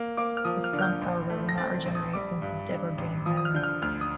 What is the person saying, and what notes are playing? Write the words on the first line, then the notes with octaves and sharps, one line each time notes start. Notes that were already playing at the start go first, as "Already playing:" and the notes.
The stump, however, will not regenerate since it is dead organic matter.
Already playing: A#3
A#3 D6
F6
F3 D#6
F6
D3
F6
G6
A#1
A3
A#6
C4 A6
A#1
D#6
G3 D6
G2
G2
A1
F3 D#6
D#6
F6
D3 G6
F6
D2 F6
D#6